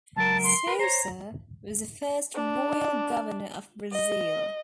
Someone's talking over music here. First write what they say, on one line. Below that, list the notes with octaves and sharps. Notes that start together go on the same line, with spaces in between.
Sousa was the first Royal Governor of Brazil.
C#2 F#3 A#4 A5
C6
A#4 B4 B5
C5 C#5 A#5
D4
D#5